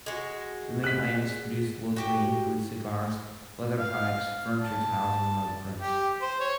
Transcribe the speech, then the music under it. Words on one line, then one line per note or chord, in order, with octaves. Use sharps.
The main items produced locally include cigars, leather products, furniture, tiles and mud bricks.
G#3 F#4
F#6 B6
F#4 G4 G5
F5
A5
G4
C5
C#5